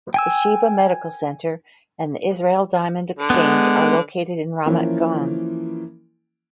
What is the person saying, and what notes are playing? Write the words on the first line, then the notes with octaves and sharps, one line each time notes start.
The Sheba Medical Center and the Israel Diamond Exchange are located in Ramat Gan.
G5 G#5 E6
D3
G#3 B3
E3 F3 A#3 C#4 E4